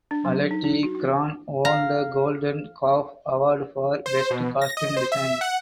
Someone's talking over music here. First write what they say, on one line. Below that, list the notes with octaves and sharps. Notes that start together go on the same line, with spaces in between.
Alette Kraan won the Golden Calf award for Best Costume Design.
D4
F#3
D#4
D#4
F#4
F#4
F5 A#5
C5
B2
A#6
D#5
C5
E5
F#5